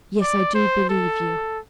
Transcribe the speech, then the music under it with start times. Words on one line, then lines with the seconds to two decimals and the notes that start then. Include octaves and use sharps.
'Yes, I do believe you.
0.21 D5
0.55 C5
0.89 A4